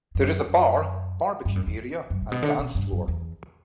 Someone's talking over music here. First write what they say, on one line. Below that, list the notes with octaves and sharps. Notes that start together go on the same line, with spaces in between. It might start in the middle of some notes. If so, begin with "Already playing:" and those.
There is a bar, barbecue area and dance floor.
F#2
F#2
G2
F#2
E2
F#2
A2
B2
D3
B2
G2
F#2
E2